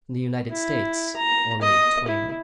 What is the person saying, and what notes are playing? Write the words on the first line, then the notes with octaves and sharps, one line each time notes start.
In the United States, only Twain.
E4
A#5
D#5
E4